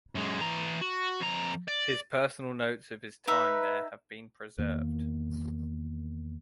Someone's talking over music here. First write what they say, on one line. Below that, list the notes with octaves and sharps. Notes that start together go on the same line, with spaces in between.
His personal notes of his time there have been preserved.
F#2 G#3
E3 A#5
F#4
F2 A#5
D5
D#4 B4 E5 A#5
E2 D#3 A#3